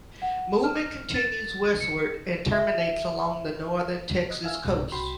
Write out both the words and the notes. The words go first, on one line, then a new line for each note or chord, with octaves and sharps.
Movement continues westward and terminates along the northern Texas coast.
F#5
F6
A6
C#7
E5
D#5
E5 F5 G#5 E6 F6
C2 G#2 B2
C2 F#4 G5 B5 C6